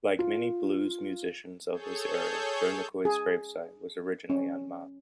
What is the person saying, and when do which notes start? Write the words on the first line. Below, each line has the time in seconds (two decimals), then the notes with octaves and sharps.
Like many blues musicians of his era, Joe McCoy's grave site was originally unmarked.
0.19 F4
1.71 G#4 A4 C#5 G6
3.05 G#4
4.30 C#4